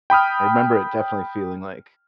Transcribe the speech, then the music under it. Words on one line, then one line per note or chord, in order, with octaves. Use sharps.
I remember it definitely feeling like,
G5 B5 D#6 F6